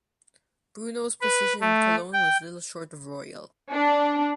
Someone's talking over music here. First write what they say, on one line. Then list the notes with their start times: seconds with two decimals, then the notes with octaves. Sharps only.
Bruno's position in Cologne was little short of royal.
1.21 B4
1.60 A3
2.13 G5
3.72 D4